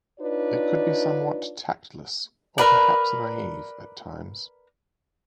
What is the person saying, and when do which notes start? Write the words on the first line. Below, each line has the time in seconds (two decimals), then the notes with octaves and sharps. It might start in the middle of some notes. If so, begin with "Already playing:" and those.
It could be somewhat tactless, or perhaps naive, at times.
0.20 D4 D#4 F4 B4 C#5 D5
2.58 A#4 B4 D5